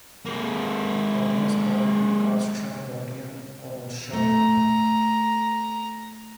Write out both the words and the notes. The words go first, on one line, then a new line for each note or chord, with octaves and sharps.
Romans called it "Castrum Rotium" or "Rocium".
G#3 A#3
A3 A#5